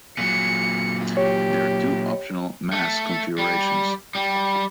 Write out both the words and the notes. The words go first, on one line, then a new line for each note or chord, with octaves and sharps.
There are two optional mast configurations.
A#2 F#3 C#7
G4 C#5
A3
G3
G3